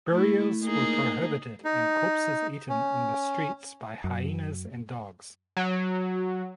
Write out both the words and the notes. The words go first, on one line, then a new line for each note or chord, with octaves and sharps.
Burials were prohibited and corpses eaten in the streets by hyenas and dogs.
A3 E4
A#3 D#4 G#4
D#4
C#4
F#2
F#3